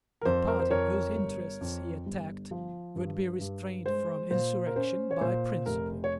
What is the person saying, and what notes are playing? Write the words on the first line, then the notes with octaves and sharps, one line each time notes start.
The party whose interests he attacked would be restrained from insurrection by principle.
A#4
F2 C5
A#4
C5
F2 A#4 C#5
G1
F2
G1
F3
G2
G2
G#3 C5
A#2 C5
A#4
C#4 C5
C#5
A#2 C5
F1 A#4
C#5